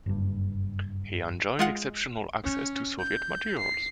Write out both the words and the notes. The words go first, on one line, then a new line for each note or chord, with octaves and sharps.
He enjoyed exceptional access to Soviet materials.
F#1 G2
G#3 F4 F#5
C#4
G6
C7